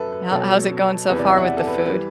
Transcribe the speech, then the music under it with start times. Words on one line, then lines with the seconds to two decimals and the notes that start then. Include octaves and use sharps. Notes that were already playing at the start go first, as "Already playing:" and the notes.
How how's it going so far with the food?
Already playing: F#2 F#3 A4 B4 E5
0.12 B4
0.31 B2 F#3 A4
1.09 E2 C3 E3 B4
1.19 D5
1.29 E5
1.38 F#5
1.47 D5
1.57 A4
1.67 B4
1.86 E3 G3 B4